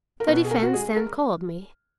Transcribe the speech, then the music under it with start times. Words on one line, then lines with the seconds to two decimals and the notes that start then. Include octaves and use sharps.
The defense then called me.
0.20 A#4
0.27 B2 B4
0.45 G#4
0.51 A#4
0.62 F#4
0.73 G#3 G#4
0.96 A#4